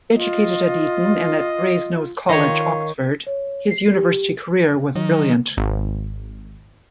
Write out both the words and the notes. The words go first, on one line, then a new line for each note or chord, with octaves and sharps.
Educated at Eton and at Brasenose College, Oxford, his university career was brilliant.
F4 D#5
D#3 F4 C#5 F5
C#5
C7
G4
D#3 F#3
G#1